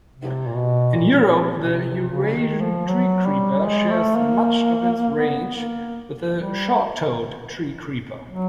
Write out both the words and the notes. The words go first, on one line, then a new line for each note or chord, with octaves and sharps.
In Europe, the Eurasian treecreeper shares much of its range with the short-toed treecreeper.
C3
A#2
B2
A#2
B2
C3
C#3
D#3
F3
F#3
G3
G#3
A3
A#3
B3
A#3
G3
F#3